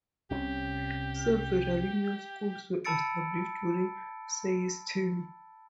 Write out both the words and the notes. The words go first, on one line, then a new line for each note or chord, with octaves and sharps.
Several new schools were established during Seay's term.
C2 C3 C#4 G4
A5 B5 E6 A6 C#7 D7